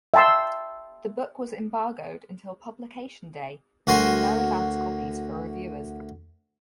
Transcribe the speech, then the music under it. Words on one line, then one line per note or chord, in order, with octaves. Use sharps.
The book was embargoed until publication day-meaning no advance copies for reviewers.
E5 G5 A5 C6 E6
D2 F#4 A#4 G#5 C6